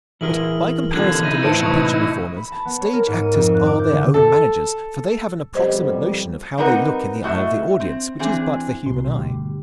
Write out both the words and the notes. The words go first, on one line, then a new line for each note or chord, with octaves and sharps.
But by comparison to motion picture performers, stage-actors are their own managers, for they have an approximate notion of how they look in the eye of the audience, which is but the human eye.
E3 E4 G#4 A#4 E5 F6 F#7
B2 D3 F4 F#6 G#6 F#7
D#4 E4 A#6 D#7
E2 A2 B3 C5 A5 C#7 D7
C3 B4 C#6 D#6
B5
A5
B3
C#5
A#4
G#2
D#7
F2
F#6
D6
G6
D3
A4
F2 B2 G3 C5 D#5
G3 C4 D#4 A#4 B4 F#5
A2 A3 F#4 D#5 E5
C4
E3 C4 D4 G#4
C2 B2 C6
D2 G2 G4